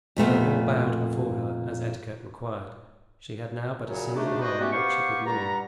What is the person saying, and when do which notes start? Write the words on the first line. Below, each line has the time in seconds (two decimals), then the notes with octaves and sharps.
Though all bowed before her, as etiquette required, she had now but a single arm on which she could lean.
0.17 F2 A#2 A3 B3
3.87 F#2 A#2 C#3 F#3
4.16 G#3 A3 D4 D#4 F#4 G4
4.41 D#4 F#4 B4 C5 D5 D#5
4.60 G3 A3 B3 C#4 F#4 G4
4.73 B3 G4 C5 F5 C#6
5.26 G2 G3 D5 F#5 A#5